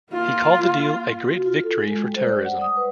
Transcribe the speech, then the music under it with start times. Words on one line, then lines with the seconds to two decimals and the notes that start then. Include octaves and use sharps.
He called the deal a 'great victory for terrorism'.
0.13 A#3 F4
1.28 F#4
1.46 F4
1.63 A4
1.82 G#3
2.04 G3
2.16 C5
2.28 D5
2.45 F#5
2.61 D#6
2.77 B4